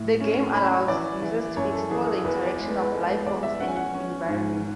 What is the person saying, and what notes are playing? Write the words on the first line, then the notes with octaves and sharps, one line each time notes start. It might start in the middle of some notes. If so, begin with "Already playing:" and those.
The game allows users to explore the interaction of life-forms and environments.
Already playing: A2 E4
C#4
C#4 B5
E3 D5
E3
F#2 C#5
A4
E3 G#4
A4
E2 B4
D5
G#3
B4
B4
G#3 A4
B4
E2 D5
E5
C#4 F#5
G#5
F#5
C#4
G#2